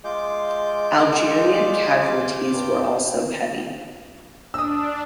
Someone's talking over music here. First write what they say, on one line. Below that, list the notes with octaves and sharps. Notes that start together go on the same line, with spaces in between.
Algerian casualties were also heavy.
G#3 F4 D6 G6
G2
D4 D#6 E6